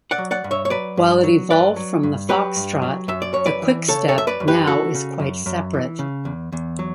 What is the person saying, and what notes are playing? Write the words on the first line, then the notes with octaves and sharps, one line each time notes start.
While it evolved from the foxtrot, the quickstep now is quite separate.
D5 F#5
F#3
D5 F#5
G2
C#5 E5
C#5
F#3 B4 D5
G2
F#3
G2 B4 D5
F#3
G2
F#3 G4 B4
G2
F#3
F#2 E5
D5
F#2 C#5
B4 D5
E3
C#3 A4 C#5
A4 C#5
F#2 E5
B4 D5
F#2
G4 B4
E3 F#4 A4
C#3
F#2
F#2
E3
C#3
E2
E2
F#3